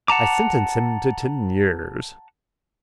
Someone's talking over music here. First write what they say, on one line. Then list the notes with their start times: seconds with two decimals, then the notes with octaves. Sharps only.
I sentenced him to ten years.
0.08 F#5 A5 A#5 D6